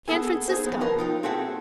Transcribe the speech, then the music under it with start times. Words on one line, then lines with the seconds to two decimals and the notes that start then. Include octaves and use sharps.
San Francisco!
0.08 B3 G#4 A4 G#5
0.48 D#4 G#4 C5
0.66 F3 B3
0.81 C2 F3 A#4 B4
0.98 D#4 F4 G5
1.23 C4 F#4 G#4 A4 E5 G5